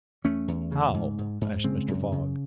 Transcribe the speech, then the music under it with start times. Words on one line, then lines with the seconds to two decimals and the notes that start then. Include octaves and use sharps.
"How?" asked Mr. Fogg.
0.24 E2 A3 C#4
0.48 E2
0.72 C#3
0.94 G#2
1.18 G#2
1.41 G#2
1.64 C#3 G#3 C4
1.88 F#2
2.12 C#3